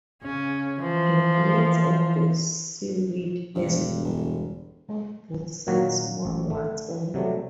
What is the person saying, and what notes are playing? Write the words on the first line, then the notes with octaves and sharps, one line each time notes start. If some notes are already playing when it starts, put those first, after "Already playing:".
The blades of the seaweed has on both sides small warts on.
C#3 C#4
E3 F3
E1 G2
G1
A#2 D#3 F#3 A#3 F#4
A1
A3
C3 F#3 G3 A3